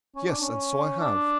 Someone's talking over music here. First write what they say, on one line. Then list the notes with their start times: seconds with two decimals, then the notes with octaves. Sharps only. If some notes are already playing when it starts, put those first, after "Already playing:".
Yes, and so I have.
0.15 C#4
0.28 D4
0.40 C#4
1.00 D4